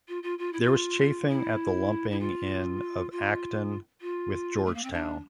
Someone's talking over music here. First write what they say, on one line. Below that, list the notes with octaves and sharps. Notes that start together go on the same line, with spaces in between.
There was chafing at the lumping in of Acton with Georgetown.
F4
F4
F4
E4
F4
E4
E4
F4
F4
F4
A3
A#3
C4
D4